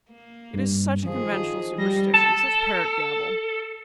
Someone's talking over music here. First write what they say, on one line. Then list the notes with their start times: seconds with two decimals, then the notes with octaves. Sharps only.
It is such a conventional superstition, such parrot gabble!
0.11 A#3
0.54 G2
1.05 D#3 F3 G#4
1.78 G3 A#6
2.14 A4 A5